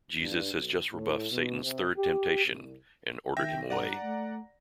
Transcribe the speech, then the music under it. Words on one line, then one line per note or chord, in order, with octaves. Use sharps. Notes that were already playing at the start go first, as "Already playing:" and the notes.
Jesus has just rebuffed Satan's third temptation and ordered him away.
G2
B1
A2
B2
C3
G4
C2
D#3 E5 G5 A#6
G2 D5 F#5 A#5
A3